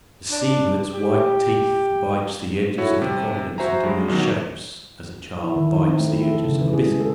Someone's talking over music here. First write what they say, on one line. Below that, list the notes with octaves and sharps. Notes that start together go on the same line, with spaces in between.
The Sea with its white teeth bites the edges of the continents into new shapes, as a child bites the edges of a biscuit.
D4
G4
E4 F#4 A4 C#5
C3 G3
F#4 C5 E5 G#5 A#5
G2 F#3 G#3
B1 D#3 F#3
E4
D#3
D#4
C4
A3
E4
A4
C#3
E3
G#4
G#3
A4